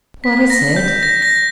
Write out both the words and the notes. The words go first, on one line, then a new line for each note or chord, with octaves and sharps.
"What is it?"
B6
A#6
G6
A#6
A#6